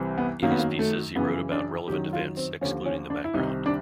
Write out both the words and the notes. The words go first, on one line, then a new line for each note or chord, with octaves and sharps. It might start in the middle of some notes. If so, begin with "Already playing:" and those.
In his pieces he wrote about relevant events, excluding the background.
Already playing: C2 C3 E3
B3
F#2 D#3 F#3 A#3
B3
A#3
A3
F#2 C#3 E3 B3
D4
F#2 D#3 F#3 G4
F4
C4
D#2 D3 F3 C#4
C#4
D4
E4
C2 C3 D#3 D#4
D4